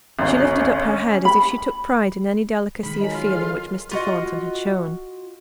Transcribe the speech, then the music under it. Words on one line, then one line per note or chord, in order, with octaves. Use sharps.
She lifted up her head, as if she took pride in any delicacy of feeling which Mr. Thornton had shown.
G#1 D2 C#4
B5
D#3 G#3 B5
F3 F#3 A#4 D#5 G#5
F4
G#4 A4
F4 F#4 D#5